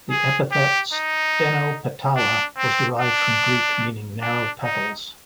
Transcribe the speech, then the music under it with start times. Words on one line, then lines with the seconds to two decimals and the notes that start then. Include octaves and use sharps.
The epithet ""stenopetala"" was derived from Greek meaning narrow petals.
0.10 G#4
0.52 G4
0.93 D#4
2.16 D4
2.58 C4
2.99 D4
4.22 D4
4.64 D#4